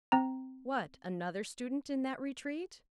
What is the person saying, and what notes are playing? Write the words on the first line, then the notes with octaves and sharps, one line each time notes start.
"What--another student in that retreat?"
C4 A#5